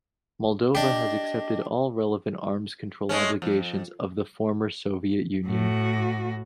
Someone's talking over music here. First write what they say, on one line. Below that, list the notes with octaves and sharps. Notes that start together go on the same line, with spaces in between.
Moldova has accepted all relevant arms control obligations of the former Soviet Union.
D4 G4 D#5
G#3 A3 C#4
F2
A2 F#4